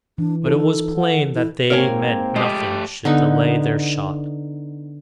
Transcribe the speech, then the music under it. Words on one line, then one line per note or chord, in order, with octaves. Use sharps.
But it was plain that they meant nothing should delay their shot.
E3 D4
D#4 F4 A4
F#5
E4
G#2 A#3 C4 A#4 C#5 G#5
G#3 A3 G4
D3 B3 D#4